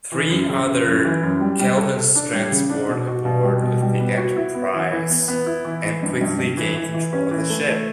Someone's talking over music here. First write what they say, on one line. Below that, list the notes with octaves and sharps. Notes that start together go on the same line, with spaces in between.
Three other Kelvans transport aboard the "Enterprise", and quickly gain control of the ship.
E3
F#2
C#3
C#3
F#2
E3
F#2
G3
G3
A4
A4
D4
G3
C#3
D4
B2
F#4
B2
G3
B2
G3
B3
F#4
E4
B3
E3
E3
B3
B3
E4
E3
E3
G2
G2
G2
E3
E3
E3
C#4
E3
A3
A3